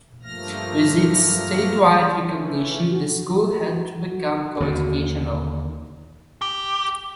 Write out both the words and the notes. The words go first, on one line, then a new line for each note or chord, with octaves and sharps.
With its statewide recognition, the school had to become co-educational.
G2 F3 A3 A#3 F6 A#6
E3 A3 C#4
F#4
D#2 D3
G4